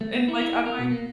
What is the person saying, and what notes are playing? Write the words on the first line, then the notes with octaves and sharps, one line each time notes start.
and, like, on my
A3
B3
E4
E4
A#4
B2
A#3